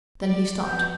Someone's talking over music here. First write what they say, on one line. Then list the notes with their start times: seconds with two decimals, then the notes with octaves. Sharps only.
Then he stopped.
0.22 D5
0.64 F2 B2 G6